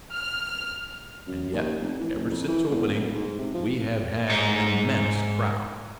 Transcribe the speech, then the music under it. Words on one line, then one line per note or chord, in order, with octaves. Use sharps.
And yet, ever since opening, we have had an immense crowd.
F6
F#2
D#2
F1
E3
F#1
F2
E3
E1
B1
G#2
C3
F3
G#2 D#4